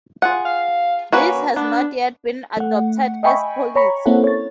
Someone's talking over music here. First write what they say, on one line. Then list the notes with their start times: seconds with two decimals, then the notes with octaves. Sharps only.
This has not yet been adopted as policy.
0.22 F4 G#4 F#5
0.45 F5
1.12 A#3 C#4 F#4 B4
1.56 B3 D4
2.57 A3 F#5
3.23 D#5 E5 G5 G#5 B5 C#6
3.76 C#5 A#5 B5 C#6
4.05 A#3 C4 C#4 E4 A4 F#5
4.24 C#5 A6